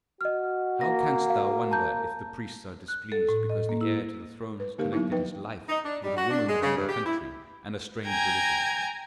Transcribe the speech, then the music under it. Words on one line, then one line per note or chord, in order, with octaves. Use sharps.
How canst thou wonder if the priests are displeased because the heir to the throne has connected his life with a woman of another country and a strange religion?
F#4 D#5 F6
A#3 A#6
F5
A5 A#5 G6
F#6
A4
A2
D#5
A#3
E4
B4
D3 A#3 D#4 G4 A#4 F5
F#3 B3 D#4 E4
F3 D#4 B4 G5
D#4
D4
G3
F#4
D4
G#3
C#3
G2
G4
E4
G5 G#5 A#5 G#6